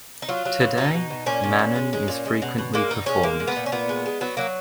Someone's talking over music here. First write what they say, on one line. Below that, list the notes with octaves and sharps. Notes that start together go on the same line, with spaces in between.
Today, "Manon" is frequently performed.
D#4
F#3 F4
F#3
B2
B2 D#4
B2
B2
A#2 C#4
A#2
A#2
G#3
G#3
A#2
G#3
B2
B2
G#3 A#3
B2 D#4
G#3 C#4
G#3 A#3
G#3
B3
A#2
C#4
A#2 B3
G#3
G#3
F#3 B3
F#3 A#3